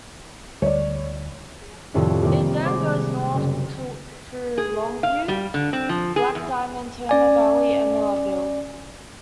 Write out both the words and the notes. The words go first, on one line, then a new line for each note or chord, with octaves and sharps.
It then goes north through Longview, Black Diamond, Turner Valley, and Millarville.
D2 D3 G3 C#5 D5
C2 F2 A2 C3 D#3
C3 D#3 A#3 G4
G#3 C5 D6
F#1
G#4
F5
G3
D3
C4
F3
G#4
E2
C#4 D5 G#5